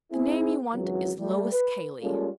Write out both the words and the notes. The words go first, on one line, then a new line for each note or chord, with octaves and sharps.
'The name you want is--Lois Cayley!'
C4 E4 G#4
G#1 C#2 E3 F#3
G3 A3
B4
G3 G#3 A#3 C#4 F4 A4